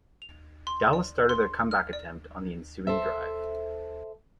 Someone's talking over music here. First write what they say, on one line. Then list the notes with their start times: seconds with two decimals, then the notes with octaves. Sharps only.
Dallas started their comeback attempt on the ensuing drive.
0.22 F7
0.67 C6
0.93 D5
1.29 C6
1.71 F6
1.93 D5
2.87 A4 C5 E5